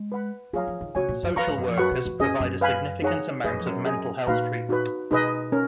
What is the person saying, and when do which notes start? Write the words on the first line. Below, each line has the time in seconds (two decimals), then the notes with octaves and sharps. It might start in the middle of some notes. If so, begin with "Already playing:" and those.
Social workers provide a significant amount of mental health treatment.
Already playing: G#3
0.12 B4 F#5 B5
0.53 F#3 F4 G#4 C#5 F5 A#5
0.67 F3
0.81 D#3
0.95 C#3 F#4 C#5 G#5
1.09 A#2
1.23 F#2
1.36 F#2 B4 F5 A#5 C#6
1.47 G#2
1.57 F#2
1.68 F2
1.78 F#2 F#4 B4 F#5 C#6
1.91 B2
2.06 F2
2.20 F#2 C#4 G#4 D#5
2.40 F#2
2.61 B4 F5 G#5 B5
3.02 D#4 G#4 C#5 F#5 A#5
3.44 G#2 G#4 B4 D#5
3.51 F#2
3.59 F2
3.66 F#2
3.86 G#4 D#5 G#5
4.27 A#2 D#4 F#4 B4 F5 A#5
4.69 D#4 F#4 B4
5.11 B2 D#4 G#4 B4 D#5
5.52 C#4 A#4